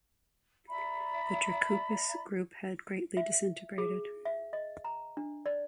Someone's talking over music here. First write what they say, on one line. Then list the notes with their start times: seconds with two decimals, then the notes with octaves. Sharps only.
The Trikoupis Group had greatly disintegrated.
0.69 D5 E5 A#5 B5
3.17 E5
3.78 G#4
4.25 E5
4.53 D#5
4.85 A#5
5.17 D4
5.46 D5